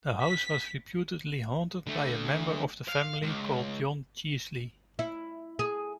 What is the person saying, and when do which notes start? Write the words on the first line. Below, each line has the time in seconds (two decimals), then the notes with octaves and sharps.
The house was reputedly haunted by a member of the family called John Chiesley.
0.23 B6
1.87 D3 A3
2.88 F5
3.22 C#2
4.99 E4
5.59 G#4